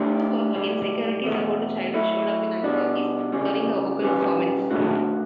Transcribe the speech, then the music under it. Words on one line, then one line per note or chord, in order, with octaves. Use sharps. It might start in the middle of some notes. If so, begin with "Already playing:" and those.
However, her insecurities about her childhood showed up in anxieties during her vocal performance.
Already playing: D3 A3 D4 G4 D5
B1 A2 G3
E2 B2 A3
F#3 A3 E4
B2 G3 D4
D2 C#3 G3
B2 G3 C#4 G4 B4
B2 A3 D4 F#4